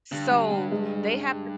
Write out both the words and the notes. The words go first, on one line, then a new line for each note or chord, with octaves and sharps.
so, they have to
G2 D3
G3
G3
G#3